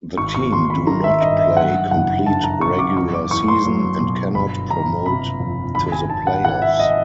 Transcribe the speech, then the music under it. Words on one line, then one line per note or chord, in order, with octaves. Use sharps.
The team do not play complete regular season and cannot promote to the playoffs.
G#1 C#6
C#6
G#1 C6
B5
D#3 A#5
E5
G2 D#5
E5
F#3 F#5
F#1 F#5
D3 A5
A#5
F#2 C#6
D6
E2 C#6
D6
E2 C#6
C6
F#3
B2
G1 B5
G1 A#5
C3 B5
F2
G#1 B5
G#5
G#1 A5
F#5
E3 F#5
E5
D#5